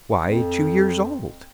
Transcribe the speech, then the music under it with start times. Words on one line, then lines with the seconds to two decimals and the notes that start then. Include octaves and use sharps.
"Why, two years old."
0.24 F2